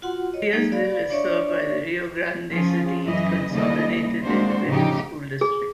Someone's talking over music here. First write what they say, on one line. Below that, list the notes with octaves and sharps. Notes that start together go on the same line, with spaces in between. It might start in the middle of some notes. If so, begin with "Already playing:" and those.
Garciasville is served by the Rio Grande City Consolidated Independent School District.
F4 F#4 F#5 C6
C#5 D#5
F#3 G#3 A#3 D#4 G#4
D5 F5 B5
D4 C#5 D5 E5 C#6
F3 C#4 F4 G#4
F#2 E3 E4 D#5
D#2 C#3 G3 A3 E4 D#5
G#3 A#3 C4 D4 F#4 C5
A2 C#3 F3 C#4 D#4 G4
G#4